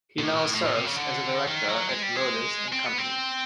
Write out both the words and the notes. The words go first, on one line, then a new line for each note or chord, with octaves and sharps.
He now serves as a director at Moelis and Company.
A#2
A2
A#2
A2
A2
A2
C3
C#3
D3
D#3
F#3
G#3
G3
G#3
C4
B3
C4